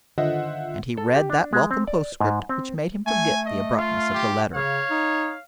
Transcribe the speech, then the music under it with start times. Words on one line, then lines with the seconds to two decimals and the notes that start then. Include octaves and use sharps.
And he read that welcome postscript, which made him forget the abruptness of the letter.
0.18 D3 D#3 F4 C5 D#5 E5 F#5
0.97 A4
1.14 G4
1.30 D4
1.53 G#3
1.71 C4
1.87 D5
2.20 G#2
2.49 C4
3.07 A3 G#5
3.46 D#5
3.77 F4 F5
4.14 G4
4.54 C#3 C#5 F5
4.90 D#4